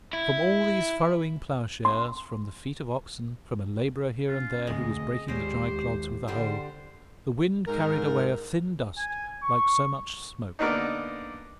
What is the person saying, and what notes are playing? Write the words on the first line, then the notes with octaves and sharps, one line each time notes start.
From all these furrowing ploughshares, from the feet of oxen, from a labourer here and there who was breaking the dry clods with a hoe, the wind carried away a thin dust like so much smoke.
E4
C6
C#4 F4
E1 D2 G#3 C4 D#5
D#2 G3 G#3 C#4 G4 C5
D3 G3 D4 C5
G#2 A#4
G#5
C#6
D3 A#3 B3 D4 D#4